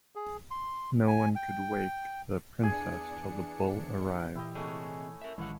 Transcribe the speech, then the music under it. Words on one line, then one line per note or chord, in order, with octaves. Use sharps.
No one could wake the princess till the bull arrived.
G#4
C6
G#5
G5
E2 D4 G#4 C#7
A#2 E3 E4 G4 D#5
C3 A3 G#4 C#5 D#5 G#5
A#4 E5
A1 F#2 D#3 E3 G#3 E4 F5 F#5